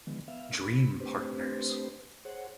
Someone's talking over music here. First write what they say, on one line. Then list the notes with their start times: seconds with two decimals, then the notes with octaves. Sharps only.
Dream Partners.
0.07 D3 D#3 F3 G#3 B3
0.28 B3 E5 F5
0.61 B5
1.00 A3 C4 D4 G4 B4 C5
2.25 G#4 C5 C#5 F#5